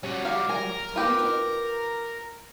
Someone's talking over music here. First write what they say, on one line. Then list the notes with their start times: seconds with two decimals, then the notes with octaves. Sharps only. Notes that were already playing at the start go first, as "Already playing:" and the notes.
Something you wanted to tell me, Jane?'
0.03 G3 C#4 F#4
0.25 D5 F5
0.49 A#4 G#5
0.96 F4 G4 B4